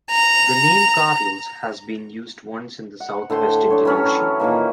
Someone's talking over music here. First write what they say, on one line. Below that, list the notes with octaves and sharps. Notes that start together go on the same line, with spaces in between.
The name Carlos has been used once in the South-West Indian ocean.
A#5
F#5
A2 D3 C5 C6
D4 C#5
E3 F#3 C#4 A4
A#2 D#3 E3 A#3